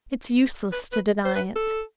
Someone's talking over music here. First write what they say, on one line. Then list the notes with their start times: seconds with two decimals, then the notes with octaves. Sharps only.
It's useless to deny it.
0.72 B4
0.93 B4
1.25 C5
1.35 B4
1.56 A4